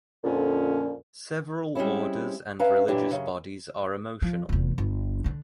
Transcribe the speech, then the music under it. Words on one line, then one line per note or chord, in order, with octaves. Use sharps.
Several orders and religious bodies are emotional.
F2 A#2 D3 C#4
G3 G#3 C4 C#4 E4
C#4 B4 E5 F5 A#5
F#2 A#2 E3 D4 E4 G4
F#2 C#3
F3
F1 E2
G1
D3 D4